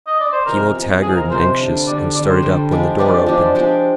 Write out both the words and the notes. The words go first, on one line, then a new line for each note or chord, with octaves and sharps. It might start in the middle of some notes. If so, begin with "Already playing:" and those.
He looked haggard and anxious, and started up when the door opened.
D#5
D5
C5
C3 F3 G#3 A#4
C3 F3 G#3
C3 F3 G#3 G#4
A#4
C3 F3 G#3 C5
D3 G3 D4
D3 G3 D4 D5
D3 G3 D4 D5
C5
D3 G3 D4
F3 G#3 D4 G4
F3 G#3 D4 G4 D5
D5
F3 G#3 D4 G4 D5
F3 G#3 D4 G4